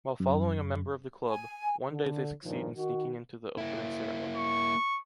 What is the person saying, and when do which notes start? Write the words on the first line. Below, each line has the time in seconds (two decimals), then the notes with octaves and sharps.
While following a member of the club, one day they succeed in sneaking into the opening ceremony.
0.20 F#2
1.29 G#5
1.91 D3
2.44 G2 A#2 D#3 F3
2.77 D#3 F#4
3.58 A#3 E4
4.37 C#6